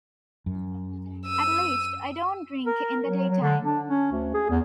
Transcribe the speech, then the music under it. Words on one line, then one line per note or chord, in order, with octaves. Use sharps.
At least I don't drink in the daytime.
F#2
E6 D#7
A#4
F#3
F#3
D3
D4
C#4
D2
G#4
E2